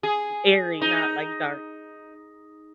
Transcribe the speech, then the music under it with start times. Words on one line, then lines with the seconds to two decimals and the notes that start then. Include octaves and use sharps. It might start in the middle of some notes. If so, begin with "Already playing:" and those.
airy, not, like, dark.
0.03 G#4
0.81 D#4